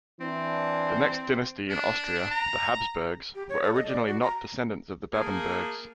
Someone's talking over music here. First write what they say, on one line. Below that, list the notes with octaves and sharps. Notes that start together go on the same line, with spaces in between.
The next dynasty in Austria-the Habsburgs-were originally not descendants of the Babenbergs.
E3 C4 D4
D4
A#5
G4
C#5
A4
D#5
D5
F#4
A#5
A3 A#3 G#4